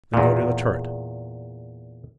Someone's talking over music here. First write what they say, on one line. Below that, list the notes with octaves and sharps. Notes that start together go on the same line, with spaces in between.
Then go to the turret.
E2 A#2